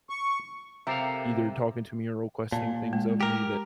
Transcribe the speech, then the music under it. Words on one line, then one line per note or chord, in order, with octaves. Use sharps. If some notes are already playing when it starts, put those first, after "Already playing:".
either talking to me or requesting things of me that
C#6
C3 A4 A#4 C5 E5 F5 G5 D6
A#2 A5
G#3
G4 A#4